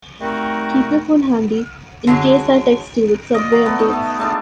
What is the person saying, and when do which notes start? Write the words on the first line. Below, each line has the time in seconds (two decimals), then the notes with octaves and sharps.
Keep your phone handy in case I text you with subway updates.
0.21 G3 A3 C4 D#4 F#4 A#4
2.07 D3 F#3 G#3
3.34 F4 D5 D#5
3.52 F#4 A#5
3.65 A3 B3
3.79 D#4
3.93 A3
4.18 G#3 A3 D4 F4